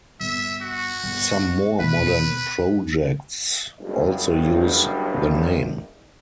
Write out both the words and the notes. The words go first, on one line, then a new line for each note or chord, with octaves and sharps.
Some more modern projects also use the name.
G1 E5
F#4
G1
D#2 B2 B4
F#1 G2